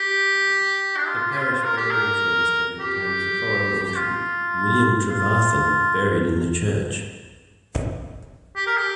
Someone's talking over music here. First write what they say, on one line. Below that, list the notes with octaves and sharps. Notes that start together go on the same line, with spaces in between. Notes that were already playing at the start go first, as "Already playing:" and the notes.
The parish burials register contains the following entry 'William Trevarthen buried in the church.
Already playing: G4
D4
F4
G4
F4
A#4
G4
A#4
G4
G4
F4
F4
G4
A#4
G4